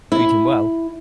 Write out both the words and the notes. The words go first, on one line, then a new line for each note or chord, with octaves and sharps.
Treat him well!
E4